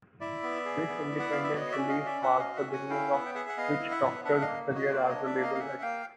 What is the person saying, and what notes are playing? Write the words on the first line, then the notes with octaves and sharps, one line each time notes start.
This independent release marked the beginning of Witchdoctor's career as a labelhead.
E4 D5 E5
B3
G#4
B3
E4
F#5
B3 F5
E5
F#4 C#5 D#5
D5 E5
C#4
D#5 F5
C#4
D5 E5
F#4 E5 F#5
D#5 F5
F#4
E5 F#5
C#4
F#5 G#5
E4 F5 G5
B3 E5 F#5
G5
G#4 E5 F#5
F#5
B3 D#5 F5
E4
E5 F#5
B3
D4 E5 F#5
D#5 F5
A#3
F#4
C#5 D#5
A#3 C5 D5
C#5 D#5
D4
D5 E5
A#3
D#5 F5
F5
C#4 E5 F#5
A#3 F5 G5